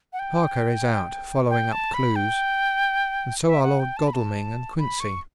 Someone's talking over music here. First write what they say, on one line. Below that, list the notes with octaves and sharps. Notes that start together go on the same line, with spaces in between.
Harker is out, following up clues; and so are Lord Godalming and Quincey.
F#5
G5
G5
A5
B5
G5
E5
F#5
G5
A5
B5
A5
B5
C#6